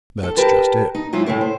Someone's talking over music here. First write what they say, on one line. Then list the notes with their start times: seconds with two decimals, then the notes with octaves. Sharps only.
"That's just it."
0.23 A4
0.37 G4 A#4 B4 A5
0.95 D#4
1.13 G#2 F#3 E4 F4
1.26 A2 C#3 A3 E4
1.41 C5